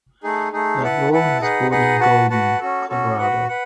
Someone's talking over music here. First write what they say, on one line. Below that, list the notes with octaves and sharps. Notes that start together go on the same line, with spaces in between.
LaVeaux was born in Golden, Colorado.
A3 D#4 G#4
A3 D#4 G#4
E4 B4 F#5 A5
E4 B4 F#5 A5
D#4 G#4 B4 D#5 F#5
D#4 G#4 B4 D#5 F#5
F#4 B4 F#5 A5
F#4 B4 F#5 A5
C#4 F#4 A4
C#4 F#4 A4
F#4 B4 F#5
B4 F#5